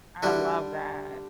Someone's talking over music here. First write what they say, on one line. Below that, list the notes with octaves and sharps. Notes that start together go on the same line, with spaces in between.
I love that.
D3 G3 E4 F#4